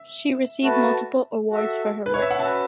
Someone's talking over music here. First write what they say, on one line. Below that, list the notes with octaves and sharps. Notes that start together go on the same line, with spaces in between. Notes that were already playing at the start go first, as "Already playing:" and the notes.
She received multiple awards for her work.
Already playing: E5
A3 F#4 B4 A5
F#4 A4 E5
B4
C#5
E5
F#5
C#4 F#4 B4 E5 A5